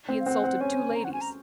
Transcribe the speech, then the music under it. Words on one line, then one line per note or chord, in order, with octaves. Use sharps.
He insulted two ladies.
C4
F5
C4 F#5
C4
C#4 G#5
A#5
F#5
G#5
A#5